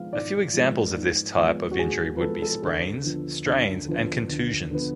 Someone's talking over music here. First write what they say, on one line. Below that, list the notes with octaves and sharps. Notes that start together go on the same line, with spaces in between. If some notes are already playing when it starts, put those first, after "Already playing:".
A few examples of this type of injury would be sprains, strains, and contusions.
Already playing: F3 G#3 B3 F5
G#2 D5
F3 G#3 B3
G#2
F3 G#3 B3
F#4
G#2 G#4
B4
F3 G#3 B3 A4
A4
D2 A4
D3 F3 B3
D2
D3 F3 B3
D2
D3 F3 B3